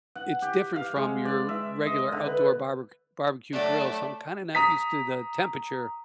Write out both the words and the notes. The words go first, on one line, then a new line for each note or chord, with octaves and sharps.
it's different from your regular outdoor barber barbecue grill, so, I'm kinda not used to the temperature
F#5
G4
F5
G#3
D5
E5
D#5
D3
B4
F#3 A3 D4 D5
A#5 D#6 B6